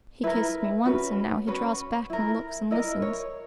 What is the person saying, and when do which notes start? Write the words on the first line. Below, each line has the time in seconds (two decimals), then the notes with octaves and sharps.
He kissed me once, and now he draws back and looks and listens.
0.24 E4 A#4 B4
0.85 C#4 F#4 B4
1.47 C#4 F#4 B4 C#5
2.10 E4 A#4
2.71 E4 A#4 D#5
3.02 C#5